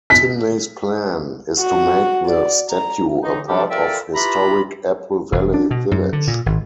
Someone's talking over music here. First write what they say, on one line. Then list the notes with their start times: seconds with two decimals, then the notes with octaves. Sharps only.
Tinsley's plan is to make the statue a part of historic Apple Valley Village.
0.10 B6
1.60 F#4
2.27 D5
2.71 A#5
3.24 A2 D3 E3 D#4
3.49 C3 F3 G3 D4 G4 A4
3.71 F4 A4 A#4 D5 E5 G5
4.15 E4 F4 G4 B4 A#5 B5
5.32 E1
5.54 D4
5.71 B2
5.91 F#2
6.13 D3
6.28 A#2
6.46 G#1